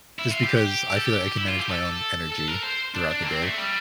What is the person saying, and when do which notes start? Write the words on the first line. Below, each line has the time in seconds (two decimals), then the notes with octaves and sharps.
just because I feel like I can manage my own energy throughout the day.
0.19 E4
0.31 F4
0.43 G4
0.96 A4
1.06 G4
1.37 E4
1.48 F4
1.59 G4
1.69 A4
2.32 A4
2.48 A#4
2.64 C5
2.95 D4
3.11 D4
3.22 A#3
3.27 C4
3.43 A3
3.58 G3